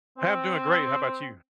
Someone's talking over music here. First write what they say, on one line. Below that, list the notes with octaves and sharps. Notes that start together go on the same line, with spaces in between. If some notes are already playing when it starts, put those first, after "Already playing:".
I'm doing great. How 'bout you?
C4